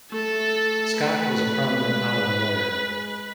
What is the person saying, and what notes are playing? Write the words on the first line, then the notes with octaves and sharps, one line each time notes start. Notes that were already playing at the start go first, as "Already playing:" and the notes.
Scott was a prominent Ottawa lawyer.
A3 A4
B4
G#3